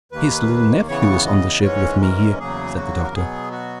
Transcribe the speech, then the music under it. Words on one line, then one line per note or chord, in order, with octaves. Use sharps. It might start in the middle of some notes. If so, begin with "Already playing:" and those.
"His little nephew is on the ship with me here," said the Doctor.
D#2 D#3 A#3 B4
C#3 E3 B3 C#5
D#5
G#2 E3 G#3 C#4 C#5
A#4
E2 C#3 F#3 A#3 G#4
F#4
A#4
B2 F#3 B3 G#4
F#4